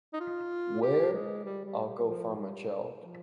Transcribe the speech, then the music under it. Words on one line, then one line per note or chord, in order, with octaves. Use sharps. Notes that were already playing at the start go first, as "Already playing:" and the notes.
Where? I’ll go find my child.
D#4
F4
G4
G#3
G3
G3
G3
G3
F3
G3
F3